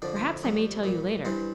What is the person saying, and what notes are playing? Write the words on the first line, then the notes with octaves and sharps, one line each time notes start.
Perhaps I may tell you later.
F2 D3 F3 D5
C5
F2 C3 G3
A#2 G3
G2 E3 G3 C5